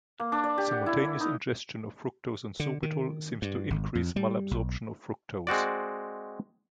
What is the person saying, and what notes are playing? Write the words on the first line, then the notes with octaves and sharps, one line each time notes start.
Simultaneous ingestion of fructose and sorbitol seems to increase malabsorption of fructose.
A#3
D4
D5
G4
F#5
E4
D5
D#4
D3
D#3
G2
G#1
F2
G3
B1
G#3 C4 F#4 D5